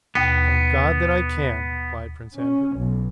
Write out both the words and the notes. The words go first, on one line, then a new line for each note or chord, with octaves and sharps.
"Thank God that I can," replied Prince Andrew.
D#2 B2 B3 G5
C#4
B1